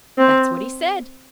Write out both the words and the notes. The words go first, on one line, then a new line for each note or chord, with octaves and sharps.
That's what he said.
C4